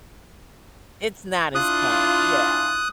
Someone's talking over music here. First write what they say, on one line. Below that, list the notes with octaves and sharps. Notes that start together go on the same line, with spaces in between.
It's not as fun, yeah,
D4 E4 F4 D#6 F#6